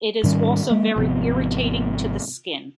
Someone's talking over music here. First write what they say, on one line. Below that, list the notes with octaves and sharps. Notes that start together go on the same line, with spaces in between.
It is also very irritating to the skin.
G#2 D#3 G3 C#4
G#3 A#3
G#1 C3 F3 B3